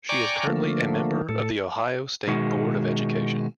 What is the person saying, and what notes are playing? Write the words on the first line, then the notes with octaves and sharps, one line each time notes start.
She is currently a member of the Ohio State Board of Education.
D5 G5 G#5 A#5 C#6 D6
D3 F3 A3 A#3
A2 A4
B2 D#3 G#3 F#4